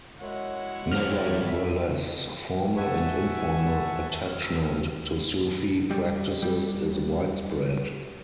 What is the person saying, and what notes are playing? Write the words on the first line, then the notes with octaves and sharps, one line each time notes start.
Nevertheless, formal and informal attachment to Sufi practices is widespread.
F#2 G#3 E4 C#5 F#5
C2 G2 F6
E2 E5
E5 F#5 G#5 A5 C#6
D2 G2 C#3 E6 F6
G3
G3